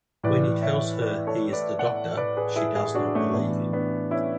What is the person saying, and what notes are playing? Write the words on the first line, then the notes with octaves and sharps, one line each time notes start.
When he tells her he is the Doctor, she does not believe him.
A2 E3 B4 D5
C#5 E5
B4 D5
A4 C#5
B4 D5
D5 F#5
B4 D5
G#4 B4
E4 G#4
E4 G#4
D4 F#4
A3 C#4
A2 E3 B3 D4
B3 D4
C#4 E4